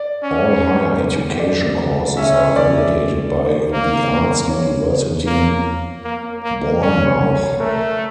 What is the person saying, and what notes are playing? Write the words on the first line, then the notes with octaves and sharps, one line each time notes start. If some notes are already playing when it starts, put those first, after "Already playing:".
All higher education courses are validated by the Arts University Bournemouth.
Already playing: D5
C#4
D5
C#4 E5
D5
A#3
C#5
A#3
A#3
A#3
C#4 D5
C#5
A3 A#4